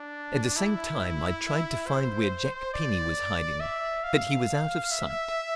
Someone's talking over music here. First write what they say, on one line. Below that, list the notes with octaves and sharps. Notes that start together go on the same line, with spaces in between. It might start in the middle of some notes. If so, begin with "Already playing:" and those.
At the same time I tried to find where Jack Penny was hiding, but he was out of sight.
Already playing: D4
E4
C5
D5
E5
F5
E5